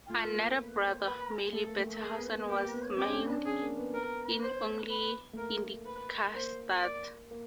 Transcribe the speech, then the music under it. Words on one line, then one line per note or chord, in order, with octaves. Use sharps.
Another brother, Merle Bettenhausen, was maimed in his only Indy Car start.
A3 F4
A#3
B3
A#3
B4
A3 A4
A#3
A3
A#3 G#4
B3
A#3
A#3 G4
B3
C4 G4
D4
C#4
D4
C#4 G#4
A#3
B3
B3 A#4
C5
B4
A3
A#3 A#4
B4
A#3 C5
D5
A#3